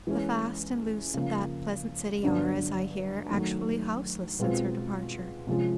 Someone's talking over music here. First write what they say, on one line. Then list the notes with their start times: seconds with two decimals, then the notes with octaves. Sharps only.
The fast and loose of that pleasant city are, as I hear, actually houseless since her departure.
0.07 E3 G#3 C#4
1.14 C#3 F3 A#3
2.23 G2 D3 F#3 B3 D4
3.31 D#3 F#3 A3
4.39 B2 G#3 C4 F4
5.47 C3 F3 G#3 C#4 F4